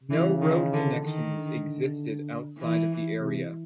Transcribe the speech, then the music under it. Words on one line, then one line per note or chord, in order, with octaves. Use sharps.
No road connections existed outside of the area.
C#3 E3
D#3
D3
D#3
D3
E3
C3